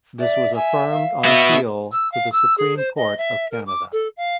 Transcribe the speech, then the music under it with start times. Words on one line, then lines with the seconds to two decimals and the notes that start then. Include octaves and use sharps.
This was affirmed on appeal to the Supreme Court of Canada.
0.20 D5 E5
0.56 E5 G#5
0.90 F5
1.25 B3 F#4 E5
1.91 E6
2.11 F5
2.32 E6
2.57 G#4
2.76 C5
2.96 D#5
3.17 E5
3.51 A#4
3.66 D6
3.92 A4
4.16 F5